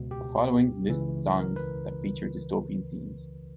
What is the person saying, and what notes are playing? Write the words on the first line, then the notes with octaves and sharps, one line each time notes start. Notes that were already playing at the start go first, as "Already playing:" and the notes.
The following lists songs that feature dystopian themes.
Already playing: C#2 B2
G4
C#2 C#3 E3
A#4
B4